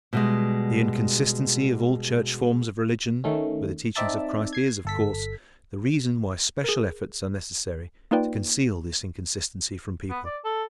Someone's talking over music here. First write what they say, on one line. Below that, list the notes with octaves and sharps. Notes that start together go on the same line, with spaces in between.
The inconsistency of all church forms of religion with the teaching of Christ is, of course, the reason why special efforts are necessary to conceal this inconsistency from people.
B2 G3 G#3
D#3 A3 C#4
C4 D#4 D5 E5 A5
G#6 C7
G1 A4 B6
G#4 A#4
A#3 D#4 F4 B4 D5 G5
B3
D5
A4